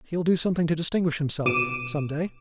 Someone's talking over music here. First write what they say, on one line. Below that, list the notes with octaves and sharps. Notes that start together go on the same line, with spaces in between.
He'll do something to distinguish himself some day.
B2 D6 D#7 E7